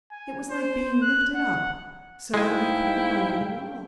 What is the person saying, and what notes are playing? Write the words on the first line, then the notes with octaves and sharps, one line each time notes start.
It was like being lifted up so that we could look over the walls.
G#5
C5
F#6
F#5
G#2 G#3 E4 F5 G5 G#5